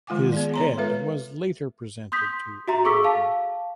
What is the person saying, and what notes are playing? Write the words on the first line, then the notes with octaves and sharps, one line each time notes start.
His head was later presented to Alauddin.
D#3 G#3 F4 F#5 G#5 D6
B3 G#4 D5
C#5 A#5 C6
G#3 F4 A4 B4 E5
C6 D#6 G6 B6
F#4 E5 A#5 C6
G#4 A4 C#6 D6 E6 B6
F5 A5